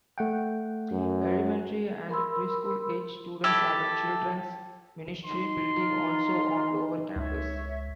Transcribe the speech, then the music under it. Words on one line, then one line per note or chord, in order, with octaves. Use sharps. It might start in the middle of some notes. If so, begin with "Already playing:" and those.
Elementary and preschool age students have a Children's Ministry building also on lower campus.
A3 F#5 G5
F#2
A#4 B5 C6 E6
E4 G4 A4
D#4 C6
F4 A#5
C#2 C#5 E5